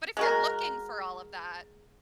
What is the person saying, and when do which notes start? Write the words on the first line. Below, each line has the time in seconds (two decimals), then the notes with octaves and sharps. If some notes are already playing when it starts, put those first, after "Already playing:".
But if you're looking for all of that,
0.17 G#3 F#4 A#4